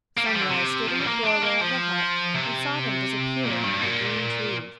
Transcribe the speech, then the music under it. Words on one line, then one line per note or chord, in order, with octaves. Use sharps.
Sunrise stood in the doorway of the hut, and saw them disappear under the green trees.
A#3
G3
F3
D3
C3
F3
G3
A#3
D4
A#3
F3
C3
A#2
G2
A#2